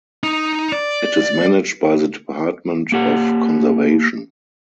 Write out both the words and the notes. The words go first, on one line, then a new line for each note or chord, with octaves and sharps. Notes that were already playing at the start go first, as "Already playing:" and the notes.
It is managed by the Department of Conservation.
D#4
D5
A#3 G4 F#5